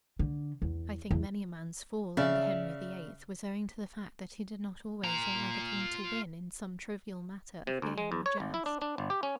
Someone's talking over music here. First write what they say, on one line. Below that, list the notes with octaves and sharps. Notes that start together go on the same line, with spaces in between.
I think many a man's fall, under Henry VIII, was owing to the fact that he did not always allow the king to win in some trivial matter of game or joust.
D3
E2
E2
C#3 D5 E5 F5
F4 A#5
C3
D2
G#3
E2
C#5
G#1
E4
D4
D4
G1
G4
C#4